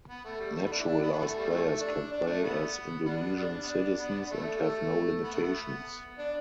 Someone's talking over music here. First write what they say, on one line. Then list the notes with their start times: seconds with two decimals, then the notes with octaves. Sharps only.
Naturalized players can play as Indonesian citizens and have no limitations.
0.09 B3
0.25 A3
0.40 G3
0.56 A3
0.66 B3
0.72 D4
0.79 E4
0.87 D4
1.02 B3
1.13 B3
1.18 E3 A3
1.37 G3
1.49 E3 A3
1.81 D4
2.12 D4
2.27 A3
2.44 B3
3.05 G3 B3 D4
3.36 G3 B3 D4
3.64 B3
3.69 D4
4.00 B3
4.10 D4
4.21 B3
4.31 A3
4.58 G3
4.62 A3
5.24 B3
5.34 A3
5.43 B3
6.19 D4